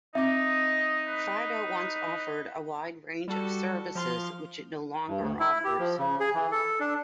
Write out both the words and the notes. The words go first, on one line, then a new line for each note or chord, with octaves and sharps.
Fido once offered a wide range of services which it no longer offers.
C4 D#4 D#5 E5 D6
B4
G3 F#4 A4
F3 F5 C6
G2
D2
E4
G4
F3
C#3
G#4
E3
A4
D4